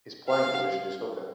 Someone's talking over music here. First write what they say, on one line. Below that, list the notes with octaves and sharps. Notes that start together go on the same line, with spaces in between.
His playing position is hooker.
F5